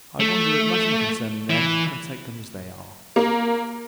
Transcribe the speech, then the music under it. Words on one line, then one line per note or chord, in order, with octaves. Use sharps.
I wonder at nothing concerning them, and take them as they are.
A3
E3
A#3